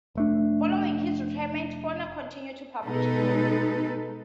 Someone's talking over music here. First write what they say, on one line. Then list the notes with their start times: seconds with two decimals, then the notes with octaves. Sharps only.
Following his retirement, Foner continued to publish books.
0.15 F1 A3 D4
2.84 B2 G#3 D#4 A4 B4